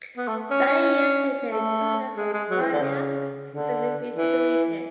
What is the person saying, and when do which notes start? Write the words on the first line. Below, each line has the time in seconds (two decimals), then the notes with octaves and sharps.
Thirty years later colonists from Swabia also moved into the region.
0.17 B3
0.28 A3
0.51 C#4
0.67 C#4
1.50 A3
2.17 G#3
2.33 G#3
2.50 F#3
2.61 E3
2.72 D3
2.82 C#3
3.50 D3
4.16 E3